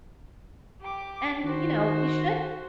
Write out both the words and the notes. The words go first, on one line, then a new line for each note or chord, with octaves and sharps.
and, you know, you should
G4 D6
D#3 F#4 C5